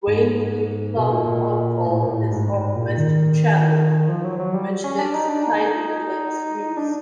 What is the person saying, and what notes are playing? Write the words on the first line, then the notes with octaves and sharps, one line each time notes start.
Wainfleet Clough Outfall is on the western channel, which is tidal below the sluice.
G#2
B2
A#2
A#2
A2
A#2
A2
G#2
G#2
A#2
D#3
F3
F#3
F#3
G3
C#4
D4
D#4
D4
D#4
D4